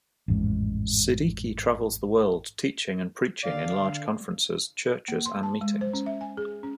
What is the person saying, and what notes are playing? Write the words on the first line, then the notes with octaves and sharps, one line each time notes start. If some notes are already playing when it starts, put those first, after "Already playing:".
Siddiki travels the world teaching and preaching in large conferences, churches, and meetings.
A1 F2 G#2
D3 D5 F5
A#3
C6
A5
G#3
C5
C#4
E5
G#5
G#4
C#4